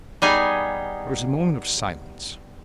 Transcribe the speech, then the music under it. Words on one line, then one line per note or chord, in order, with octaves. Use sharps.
There was a moment of silence.
G3 B3 D#4 G#4 G#5